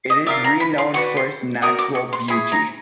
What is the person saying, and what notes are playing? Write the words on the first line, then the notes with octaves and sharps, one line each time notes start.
It is renowned for its natural beauty.
D#5
F4 A#4 D5 E5
A#5
B5
C6
F#4 B4 D5 C#6
C6
F#4 A#4 D5 D#6
D6
C#6
C6
E4 G#4 C#5 B5
A#5